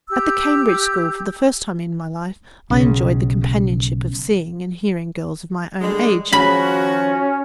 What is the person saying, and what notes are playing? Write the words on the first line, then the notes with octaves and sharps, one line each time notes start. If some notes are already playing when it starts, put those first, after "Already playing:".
At the Cambridge school, for the first time in my life, I enjoyed the companionship of seeing and hearing girls of my own age.
G4 E6 G6
B1 C#3
D3 G3 G#3
D#3 F3 C#4 F#4 B5